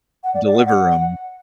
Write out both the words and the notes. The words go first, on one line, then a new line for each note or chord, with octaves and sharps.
deliver 'em.
F#5
D5
D5
F#5
F#5